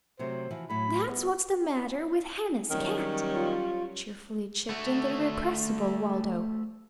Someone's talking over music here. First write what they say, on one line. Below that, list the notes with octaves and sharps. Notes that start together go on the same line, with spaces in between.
"That's what's the matter with Hannah's cat!" cheerfully chipped in the irrepressible Waldo.
C3 F#3 A3 C5
E3 F3 F#4
A2 F#3 B5
G3 B3 G#4
D#3 F#3 G3 C#4
F4
A3 F#4